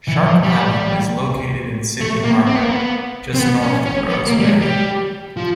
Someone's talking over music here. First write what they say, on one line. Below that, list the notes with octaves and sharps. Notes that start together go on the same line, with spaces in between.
Shark Island is located in Sydney Harbour, just north of Rose Bay.
E3
F3
G3
A3
A#3
C4
B3
A#3
B3
C4
B3
C#4
C#4
B3
A#3
G3
G#3
G3
F3